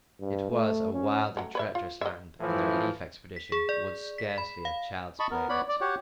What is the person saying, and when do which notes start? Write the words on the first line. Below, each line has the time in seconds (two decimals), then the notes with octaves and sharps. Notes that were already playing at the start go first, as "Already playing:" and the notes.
It was a wild and treacherous land, and the relief expedition would scarcely have child's play of it.
0.20 G2
0.50 A3
0.93 C#4
1.37 F#3 A3
1.55 B4 C#5 E5
1.75 F4
2.01 D#5 E5
2.41 A2 E3 F3
3.36 B6
3.52 G#4
3.69 D5
4.18 B6
4.38 B5
4.65 F5
5.20 D#5 A5 B5 C#6
5.31 B3 A#4
5.49 B3 C#5 D5 F#5 B5
5.68 D5
5.81 F#4 G4 C#5 F#5